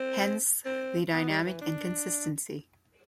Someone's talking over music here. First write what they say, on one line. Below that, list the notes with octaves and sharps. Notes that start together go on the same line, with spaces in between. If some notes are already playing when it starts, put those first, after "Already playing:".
Hence, the dynamic inconsistency.
Already playing: C4
C4
B3
G3
E3
D4